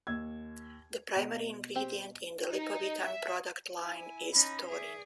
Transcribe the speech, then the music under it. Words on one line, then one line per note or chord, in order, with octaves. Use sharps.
The primary ingredient in the Lipovitan product line is taurine.
D#2 E6 G#6
B2
C4 G4
D#4
E5
E4 G#5
C#4 D#4 B5
G#4 D5 E5